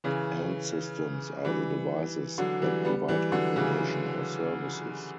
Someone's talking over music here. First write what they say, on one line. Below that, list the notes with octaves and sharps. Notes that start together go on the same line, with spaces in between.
End systems are the devices that provide information or services.
C#3 E3
E3 G3
D3 F#3
E3 G3
G3 B3
E3 G3
D3 F#3
C#3 E3